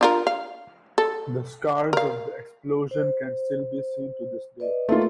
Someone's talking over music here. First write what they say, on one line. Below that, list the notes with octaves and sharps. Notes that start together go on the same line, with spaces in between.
The scars of the explosion can still be seen to this day.
D4 F4 A#4
F5
A4
A#4 F5
C5
B4 D5 D#5
A3 A#3 F4